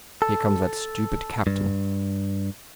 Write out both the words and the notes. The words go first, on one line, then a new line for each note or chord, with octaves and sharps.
"Here comes that stupid captain."
A4
G2